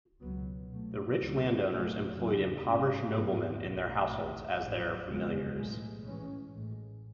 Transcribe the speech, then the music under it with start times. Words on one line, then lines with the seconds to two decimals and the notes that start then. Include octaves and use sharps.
The rich landowners employed impoverished noblemen in their households as their "familiares".
0.21 C#2 B2 F#3 B3
0.69 B1 B2 F#3 A3
1.19 D2 C#3 F#3 C#4
1.67 B1 A2 F#3 A3
2.15 E2 C#3 F#3
2.64 G#2 G#3 C#4
3.13 G#2 F#3 B3
3.61 B1 B2 A3
4.10 A1 G#2 G#3
4.60 A1 G#2 F#3
5.08 F#1 E2 C#3 G#3 B3
5.57 B1 A2 E3 G#3
6.05 G#2 E3 G#3 C#4
6.55 A1 A2 G#3